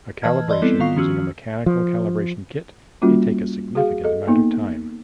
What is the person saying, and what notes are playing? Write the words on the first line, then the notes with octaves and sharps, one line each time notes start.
A calibration using a mechanical calibration kit may take a significant amount of time.
E3 B4 D#5 A5 F6 G#6
E3 D5 D#5 C6 G7
G3 B3 C4 E4 A4
D#3 B3 F4 F5 C#6 C7
D#3 F3 C#4 F#4 E6 F6
F3
G3 A#3 C#4 F4 F#4
F#4 G#4 F5
A4 D#5
A#3 B3 D#4